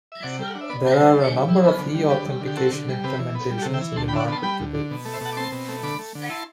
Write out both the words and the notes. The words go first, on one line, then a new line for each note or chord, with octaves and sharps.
There are a number of eAuthentication implementations in the market today.
E5
C3 D5 F#5
G3 G5
D4 F#5
E5
B3 B4 D5
C3
A4 C5
G3
D3
G3
E4
B3
D3
G3
D3 G4 B4
G3
D3
G4
C4 F#4 A4
D3
G3
C3 G4 B4
E3
B3
G3
G4
F#4 A4
C3
E5 G5
E3
D2 A5 C6
G5 B5
D3 E5
D5 F#5
B3 A5 C6
G3 G5 B5
D2
D3
B2
A3
C5 E5
B2 F#5 A5
D6
C4 A5 C6
B2
A3
D3 B5 D6
A3
D3
E4 A5 C6